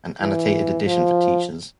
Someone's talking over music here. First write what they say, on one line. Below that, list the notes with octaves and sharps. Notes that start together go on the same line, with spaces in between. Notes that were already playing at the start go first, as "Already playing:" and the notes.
An annotated edition for teachers.
E3
F3